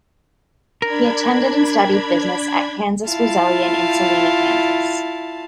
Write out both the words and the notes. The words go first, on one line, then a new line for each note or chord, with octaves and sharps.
He attended and studied business at Kansas Wesleyan in Salina, Kansas.
D4 A#4 B5 G#6
E4 F4 F5 A5